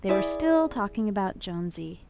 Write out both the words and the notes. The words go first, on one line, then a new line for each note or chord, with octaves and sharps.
They were still talking about Jonesy.
E4 G#4 D5